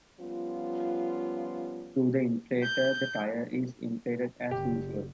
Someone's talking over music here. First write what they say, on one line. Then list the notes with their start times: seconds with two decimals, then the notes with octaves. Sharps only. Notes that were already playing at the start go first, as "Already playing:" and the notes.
Through the inflator the tire is inflated as usual.
0.20 F3 G3 B3 C#4 F4
2.63 G6
4.51 F#1 G4